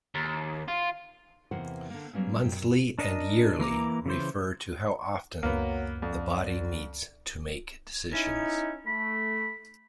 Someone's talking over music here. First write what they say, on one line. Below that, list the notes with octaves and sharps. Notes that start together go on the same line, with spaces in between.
"Monthly" and "Yearly" refer to how often the body meets to make decisions.
D#2
F4
E2 C3 E3 A#3 C5 F#5
D3 A#3
F#3 G3 A#3 B3 C#4
F#2 G5
D4 A#4 D#5
E3 A#3 A#5 D6
C#3 E3 C5
C#2 F#2 F#3 A#3 B3
F2 D3
C#4 D#4 E4
A3 B5